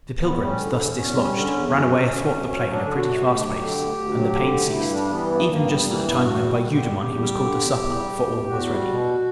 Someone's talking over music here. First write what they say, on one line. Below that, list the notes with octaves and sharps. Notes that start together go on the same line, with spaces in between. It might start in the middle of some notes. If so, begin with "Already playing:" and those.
The pilgrims, thus dislodged, ran away athwart the plain a pretty fast pace, and the pain ceased, even just at the time when by Eudemon he was called to supper, for all was ready.
E2 B3
G3
C#4
D3
E2
E2 C#4
G3
D3
E2
F#2
F#3
D3
F#2
F#2 C#4
F#3
D4
D3
F#4
F#2
D2 G4
F#3
D3
D2
D2
F#3
D3
D2
G2 E4
G3 D4
E3 B3
G2 B3
G2 A#3
G3 B3
E3 A#3
G2 B3
E4
E2 F#4
G3
D3
G4
E2
E2 G4
G3
D3
E2
E2
G3
B2
E2
E2 F#4
G3
B2